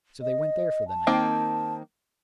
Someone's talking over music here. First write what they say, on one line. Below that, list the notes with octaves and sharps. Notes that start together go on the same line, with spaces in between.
So they went there for the night.
D#5
A5
D#3 A#3 C4